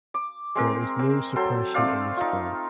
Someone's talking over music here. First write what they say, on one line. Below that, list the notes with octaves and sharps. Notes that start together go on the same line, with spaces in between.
There is no suppression in this bill.
D6
G#3 C4 A#4
C4
F#3 A4 G5 C6
A3 C4 D5 F5
D#4 F4